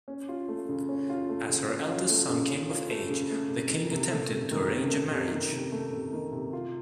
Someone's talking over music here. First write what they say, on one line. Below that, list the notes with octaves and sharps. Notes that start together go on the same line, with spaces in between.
As her eldest son came of age, the king attempted to arrange a marriage.
C#4
F4
A3
C#3
C#4
F4
A3
C#3
C#4
F4
A3
C#3
C#4
F4
A3
C#3
A3
C3
D#3
C3
A3
C3
D#3
C3
A3
C3
D#3
C3
A3
C3
D#3
C3
F4